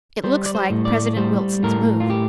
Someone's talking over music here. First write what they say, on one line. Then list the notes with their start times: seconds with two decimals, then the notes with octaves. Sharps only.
It looks like President Wilson's move.
0.24 G3 C5
0.46 D5
0.55 C5
0.70 A2
0.85 D5
1.17 G3 C5
1.64 A2 A#4
2.00 F4
2.10 G4